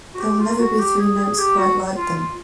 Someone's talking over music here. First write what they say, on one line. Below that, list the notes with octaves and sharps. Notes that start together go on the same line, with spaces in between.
There will never be three notes quite like them.
F#4
G4
F4
F#4
G4
G#4
G#4
G4
F#4
F4
F4